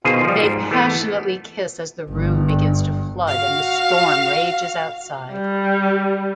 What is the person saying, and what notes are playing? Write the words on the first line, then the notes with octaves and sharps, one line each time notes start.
They passionately kiss as the room begins to flood and the storm rages outside.
B2 D#3 F4 G#4 C5
F3 G3
G#2
E3 A3 B3
G1 G2
F#4 F5
G3